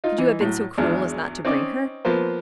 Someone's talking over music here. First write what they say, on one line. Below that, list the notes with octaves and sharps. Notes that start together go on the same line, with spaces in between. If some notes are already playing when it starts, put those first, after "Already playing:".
"Could you have been so cruel as not to bring her?"
D#4 F4
E3 D#4
A2 F#3
G#1 E2 D4 F6
C4 C#4 D#4 D5 D#5
F3 A#3 B3 C5